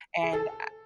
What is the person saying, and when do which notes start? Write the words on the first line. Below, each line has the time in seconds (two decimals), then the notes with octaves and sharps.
and, uh
0.23 G#4
0.33 A4